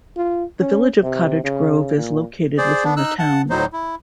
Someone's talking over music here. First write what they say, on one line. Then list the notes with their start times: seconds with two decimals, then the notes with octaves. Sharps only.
The Village of Cottage Grove is located within the town.
0.16 F4
0.60 C#4
1.03 C3
1.44 C#3
1.97 A#2
2.58 G#4 C5 D5
2.84 B3 D4
2.97 D#4 E6 F#6
3.19 F#5 A5
3.50 D2 A2 F#3 D#4 C5
3.73 E4